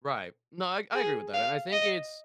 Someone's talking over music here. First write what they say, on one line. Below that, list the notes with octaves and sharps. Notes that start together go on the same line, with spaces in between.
Right. No, I I agree with that, and I think it's
G#4
F5
D#5